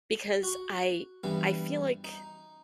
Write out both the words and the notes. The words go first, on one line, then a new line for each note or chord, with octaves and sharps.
Because I I feel like
F#4
G2 E3 G3 B3
D#4